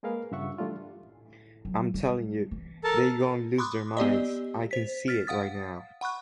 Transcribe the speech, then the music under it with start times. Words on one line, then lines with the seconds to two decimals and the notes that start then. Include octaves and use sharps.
I'm tellin' you, they gon' lose their minds; I can see it right now.
0.03 G#3 A#3 G#4 A#4 B4 F5
0.32 G2 C#3 F4 E5 F#5 C#6
0.58 E3 G3 A3 D4 F4
1.65 F#3
1.94 G3 G#3
2.51 E3
2.84 A4 A#4 A5
3.58 B5 C6 D6 D#6 F#6
3.97 B3 G4 D5 D#5
4.71 C5 B6
5.08 F6 A6 B6
5.27 F5 F#5 D#6 A6
6.01 F#5 B5 C#6 F#6